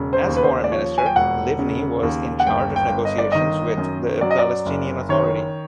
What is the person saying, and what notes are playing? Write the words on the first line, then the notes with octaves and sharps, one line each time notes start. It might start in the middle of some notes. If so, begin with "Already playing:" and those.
As Foreign Minister, Livni was in charge of negotiations with the Palestinian Authority.
Already playing: E1 C#3
C5
D#2
B4
C5
D5
F3 C#5
G#5
G5
E1 F#5
C#3
D#2
F#5
G1 G5
G5
G1
D#5
D5
D#3 D#5
F#2
F#3 D5
D#5
D5
F#1
D#3 C#5